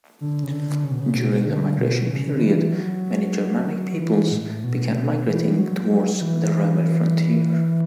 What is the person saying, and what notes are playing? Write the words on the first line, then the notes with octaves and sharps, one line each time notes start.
During the Migration Period, many Germanic peoples began migrating towards the Roman frontier.
D3
C#3
D3
C#3
B2
C#3
B2
D3
B2
C#3
C#3
D3
E3
F#3
E3
A2
B2
C#3
B2
E3
F#3
F#3
E3